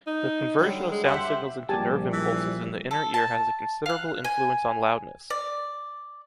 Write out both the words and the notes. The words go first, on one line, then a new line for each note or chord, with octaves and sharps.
The conversion of sound signals into nerve impulses in the inner ear has a considerable influence on loudness.
D#4
D3 F#3 G3
G#3
G4 C5 E5 F#5
A#1 G3 G4 G#5 A5
E3
A4
A5
F5 F#6
G#5
D5